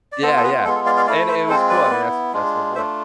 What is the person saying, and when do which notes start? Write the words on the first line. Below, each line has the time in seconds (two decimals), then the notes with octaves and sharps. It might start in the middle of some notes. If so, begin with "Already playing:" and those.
Yeah, yeah, and it was cool, I mean, that's that's my boy.
0.12 D5
0.22 B3 A4 C5
0.27 F4
0.37 A4
0.44 G#4 B4
0.64 G#3 B3 F4 A4
0.75 A4
0.86 D5 F5
0.97 D5 F5
1.07 A3 E4 D5 F5
1.28 C5 E5
1.49 G#3 C4 F4 A4 C5
1.69 B4 D5
1.91 B3 E4
2.33 G#3 D4 F4
2.75 A3 D4 F4 C5 E5